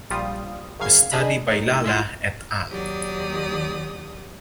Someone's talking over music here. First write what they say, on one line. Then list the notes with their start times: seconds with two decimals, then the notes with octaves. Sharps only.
A study by Lala "et al".
0.11 A#1 G3 F4 D#6
0.79 G#1 F#2 C#3 F5 G#6 C7
1.12 D4 G#4 D#5 B5
1.47 A2 D#4
1.84 G#3 E4 F4
2.71 D#2 D#3 F#3 G4 D5 D#6